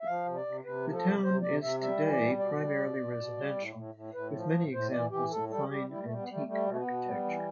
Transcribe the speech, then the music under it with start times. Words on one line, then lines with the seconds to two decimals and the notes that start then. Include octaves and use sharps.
The town is today primarily residential, with many examples of fine antique architecture.
0.01 E5
0.06 F3 F5
0.26 C3
0.36 D5
0.46 C3
0.64 C3 B4
0.85 F3
0.94 A4
1.04 C3
1.23 C3 C5
1.42 C3 D5
1.62 C3 E5
1.82 G3 E5
2.01 E3
2.11 D5
2.21 G3
2.39 B2 D5
2.59 G3
2.78 B2
2.97 B2
3.17 B2
3.37 G3
3.56 A2
3.75 A2
3.94 A2
4.14 A2 B4
4.34 F3
4.53 A2
4.72 A2 C5
4.92 E3 D5
5.11 E3 G4
5.31 A2 A4
5.50 G3 A4
5.69 G3 G4
5.89 G3 E4
6.04 A3
6.09 G3
6.19 B3
6.28 G3 A3
6.47 G3 A3
6.66 B2 A3
6.76 B3
6.87 B2
7.05 G3
7.24 E3